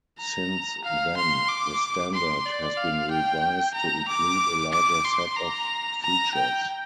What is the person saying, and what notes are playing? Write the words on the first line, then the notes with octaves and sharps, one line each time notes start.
Since then, the standard has been revised to include a larger set of features.
A#5
F5
C6
D6
C6
D5
F5
G5
A#5
D6
D6
C6
A#5
A#5
G5